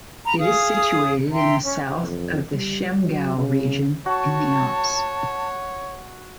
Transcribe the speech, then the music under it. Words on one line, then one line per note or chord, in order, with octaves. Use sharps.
It is situated in the south of the Chiemgau region in the Alps.
A#5 B5
G#4 F5 D#6
E5 G5 A#5 C6
C#4
F2
G3
F#3
C#3
F#4 C#5 A5